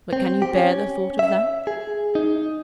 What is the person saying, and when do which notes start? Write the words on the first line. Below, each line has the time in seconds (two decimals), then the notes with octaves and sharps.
But can you bear the thought of that?'
0.13 C4
0.42 G4
0.56 C#4
1.19 E5
1.67 G#4
2.15 D#4